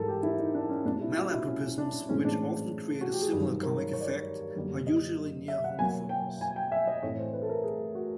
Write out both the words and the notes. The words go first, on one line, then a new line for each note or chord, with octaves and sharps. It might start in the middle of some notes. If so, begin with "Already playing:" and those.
Malapropisms, which often create a similar comic effect, are usually near-homophones.
Already playing: G#2 E3 G3 A4 A#4
G4
E4
D#4
D4
C#4
A#2 G3 C4 D4
E4
F#4
E4
C#4
C#4
D4
A2 E3 G#3 C4 C#4
D4
F#4
G4
G#4
G2 D#3 F#3
A#4
C#5
C#5
D5
C#5
F#2 D3 G3 A#3
D#5
E5
F#5
B2 F#3 A#3 G#5
G5
G#5
G5
E5
D#5
A2 E3 A3 C4 C#5
C5
B4
A4
A#4
G#4
F#4